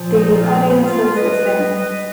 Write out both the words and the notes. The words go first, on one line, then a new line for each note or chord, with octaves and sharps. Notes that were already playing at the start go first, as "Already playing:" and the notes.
The audience is the same.
Already playing: A#2 F3
D#4
F4
F4
B4 D#5
B4 D#5